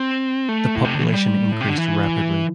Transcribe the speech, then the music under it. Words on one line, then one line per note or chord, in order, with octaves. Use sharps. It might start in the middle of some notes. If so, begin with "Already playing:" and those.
The population increased rapidly.
Already playing: C4
A3
A2
C3
D3
E3
G3
A2
C3
D3
E3